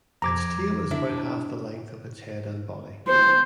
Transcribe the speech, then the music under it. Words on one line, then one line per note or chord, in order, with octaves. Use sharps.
Its tail is about half the length of its head and body.
F2 A#5 D6 G#6
D4 E4 E5
C5